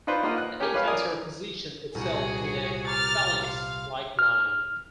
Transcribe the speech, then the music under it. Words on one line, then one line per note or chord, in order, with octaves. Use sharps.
The infantry positioned itself in a phalanx-like line.
D#4 F4 B4 C5 D5
A#3 D#4 F4 A#4 D#5 F#5
F#6
C#4 G4 G#4 A#4 G#5
B4 C#5 F5 F6
A#4 D5 G#5 D#6
C2 A#2 F#4 G#4
A#5 D6 F6 G6 A6
F5 C6 F6
F6